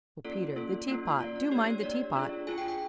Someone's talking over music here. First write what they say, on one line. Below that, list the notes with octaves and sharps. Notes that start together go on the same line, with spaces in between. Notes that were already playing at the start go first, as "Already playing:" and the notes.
"Oh, Peter--the teapot--do mind the teapot!"
A#3 C#4 F4 A4 D5
A#3 C#4 F4 A4
A#3 C#4 F4
A#3 C#4 F4 D5
D5
A#3 D4 G4 C#5
C#5
A#3 D4 G4 D5
D4 F4 G#4
D4 F4 G#4 G#5
G5
G5